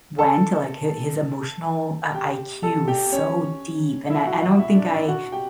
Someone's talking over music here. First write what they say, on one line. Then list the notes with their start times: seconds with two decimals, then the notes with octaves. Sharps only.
went to, like, hi his emotional, uh, IQ was so deep, and I I don't think I
0.19 A4 A5
2.14 G4 G5
2.63 A4 A5
2.88 G4 G5
3.12 C#4 C#5
4.10 E4 E5
4.26 F#4 F#5
4.42 F#4 F#5
4.59 E4 E5
4.75 D4 D5
4.91 E4 E5
5.08 F#4 F#5
5.32 G4 G5